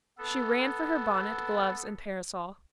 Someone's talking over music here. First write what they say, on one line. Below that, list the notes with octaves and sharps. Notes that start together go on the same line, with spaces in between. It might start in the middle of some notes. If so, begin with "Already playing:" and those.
She ran for her bonnet, gloves and parasol.
B3 A4